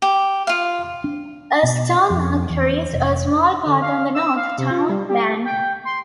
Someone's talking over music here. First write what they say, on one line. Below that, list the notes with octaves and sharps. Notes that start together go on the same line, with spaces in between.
A stone arch carries a small path on the north, town, bank.
G4
F4 F5
D4
B2
F2
E2
F1
D3
F5
E6
F5
C3
F4
G3
G4
G5
C6